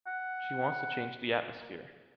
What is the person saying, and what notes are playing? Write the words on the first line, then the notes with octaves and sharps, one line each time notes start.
She wants to change the atmosphere.
F#5